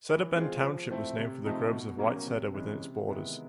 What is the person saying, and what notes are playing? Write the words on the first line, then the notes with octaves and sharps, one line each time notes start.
Cedarbend Township was named for the groves of white cedar within its borders.
E3
G#3 C4 F4 G#4
F3
A3 C4 E4
C3
F3 A3 C4 D#4
B2
F#3 A#3 C#4
C3
E3 G#3 C#4
C3
D#3 G#3 B3 E4